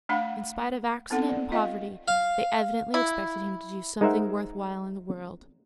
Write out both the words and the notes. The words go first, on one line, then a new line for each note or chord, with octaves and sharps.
In spite of accident and poverty, they evidently expected him to do something worth while in the world.
A3 D4 F5 F#5 B5
B3 C4 D#4 A4 F#5
D5
F4 D#5 F5 G5
F5
E4
G#3 D#4 A#4 C5 E5 F#5